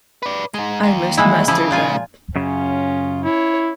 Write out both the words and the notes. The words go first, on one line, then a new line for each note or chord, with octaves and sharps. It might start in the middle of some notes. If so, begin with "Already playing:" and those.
I must master that.
B4 D5
G#2 G#3
D#2
E3 G#3 E4
C#3 F3 E4
A#2 F4 G#5
F#2 C#3 C#4 F4
E4 C#5